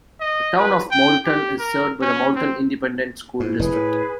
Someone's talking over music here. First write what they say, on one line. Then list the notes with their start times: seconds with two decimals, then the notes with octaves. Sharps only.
The Town of Moulton is served by the Moulton Independent School District.
0.20 D#5
0.59 B4
0.91 G5
1.25 G4
1.59 A#4
2.01 C#4
2.35 C4
3.40 G#2 E4
3.59 F1 A2 G#4 B4
3.72 A2